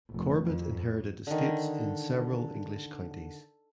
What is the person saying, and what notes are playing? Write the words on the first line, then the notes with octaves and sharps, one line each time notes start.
Corbett inherited estates in several English counties.
F1
F2
D3 D#3